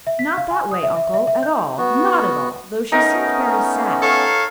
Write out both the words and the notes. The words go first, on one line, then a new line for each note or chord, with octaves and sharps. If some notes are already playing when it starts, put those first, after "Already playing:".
"Not that way, uncle, at all, not at all, though she seemed very sad."
E5
B6
F5
G#5
D#6
E5
E5
E5
E5
G6
B3 F#4
A3 B3 C#4 D#4 A#4
A4 C#5 F5